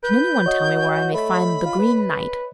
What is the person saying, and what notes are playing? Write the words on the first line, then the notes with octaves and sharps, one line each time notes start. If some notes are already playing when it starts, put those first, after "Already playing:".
'Can anyone tell me where I may find the Green Knight?'
B4 G6
F#4 C#5 D#5
A3 B5
F4
B4